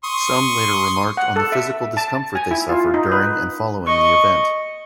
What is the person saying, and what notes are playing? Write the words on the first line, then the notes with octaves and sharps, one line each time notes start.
Some later remarked on the physical discomfort they suffered during and following the event.
C6 C#6 D#6
F#5
A4
E5
A5
G#5
E4
F4
D#4
B4
D#5 C#6